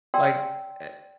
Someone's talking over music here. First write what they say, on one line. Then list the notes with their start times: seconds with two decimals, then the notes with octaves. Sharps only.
like, a
0.14 D5 G5 G#5 A#5 C6 E6